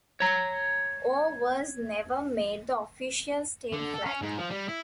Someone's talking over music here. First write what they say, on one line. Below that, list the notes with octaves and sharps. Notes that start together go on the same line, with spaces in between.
Or was never made the official state flag.
C#5 A#5
D3
A4
C#4
G#2
F3
G3
E4